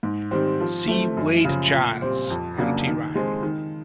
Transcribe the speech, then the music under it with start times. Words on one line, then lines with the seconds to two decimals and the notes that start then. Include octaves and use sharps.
See Wade–Giles → Empty rime.
0.03 G#2
0.31 D#3 G3 C4
0.60 F3
0.88 A3 C4
1.17 F#2
1.45 C#3 F3
1.73 A#2
2.02 G3 C4
2.30 F2
2.58 C#3 F#3 A#3 D4
2.87 D#3
3.15 G#3 C4
3.43 D#3